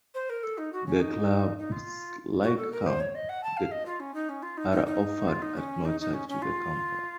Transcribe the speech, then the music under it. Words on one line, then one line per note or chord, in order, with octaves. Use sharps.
The clubs, like camp, are offered at no charge to the camper.
C5
A#4
A4
D#4
F#4
C#4
D#4
D#4
F4
F#4
A4
A#4
C5
C#5
D#5
F#5
A5
F5
D#5
F4
C#4
D#4
C#4
F4
D#4
D#4
D#4
F4
D#4
C#4
D#4
D#4
C#4
C#4
F4